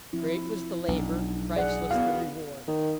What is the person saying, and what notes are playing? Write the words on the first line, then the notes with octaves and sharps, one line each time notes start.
Great was the labour; priceless the reward.
F3 C4 E4
B1 D4
G#4 D5 F#5
B3 E4 F#4 F5
D#3